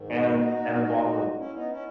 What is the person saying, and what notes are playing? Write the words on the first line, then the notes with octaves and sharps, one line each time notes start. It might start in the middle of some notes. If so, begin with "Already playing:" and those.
and and a bottle of b
Already playing: G#2 D#3
D#4 F#4
C#4 E4
B3 D#4
C#4 E4